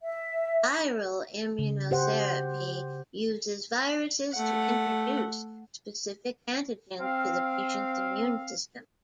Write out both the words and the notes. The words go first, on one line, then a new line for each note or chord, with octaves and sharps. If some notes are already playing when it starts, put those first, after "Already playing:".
Viral immunotherapy uses viruses to introduce specific antigens to the patient's immune system.
E5
C#3
G4 C5 F#5
A3 F#5
C4 F5